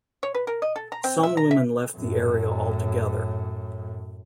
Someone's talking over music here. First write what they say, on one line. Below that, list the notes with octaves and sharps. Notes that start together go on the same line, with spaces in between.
Some women left the area altogether.
C#5
B4
A#4
D#5
A4
A#5
C4
E5
A#5
E5
F#2 A2